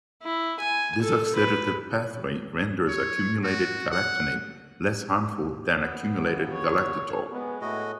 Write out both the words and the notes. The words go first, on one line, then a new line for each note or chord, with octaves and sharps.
This oxidative pathway renders accumulated galactonate less harmful than accumulated galactitol.
E4
G#5
A4
B4
C#5
F#4
F#5
B3
A#1 D#2
C#5
G#3 B3
A2 F#4 D#5